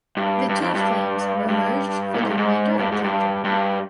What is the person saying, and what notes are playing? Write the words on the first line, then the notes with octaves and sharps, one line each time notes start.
The two flames were merged for the remainder of their journey.
G2
G2
F2
G2
G2
A#2
G#2
G2
G#2
G2
G#2
G2
G2